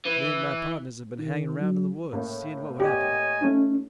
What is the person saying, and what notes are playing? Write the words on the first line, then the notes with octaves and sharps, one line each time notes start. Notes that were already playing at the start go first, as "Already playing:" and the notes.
Me an' my pardners have been hangin' 'roun' in the woods, seein' what would happen.
E3
D#3
F#3
A2 A#3
G4 C#5 D#5 G#5
A3 C#4 D#4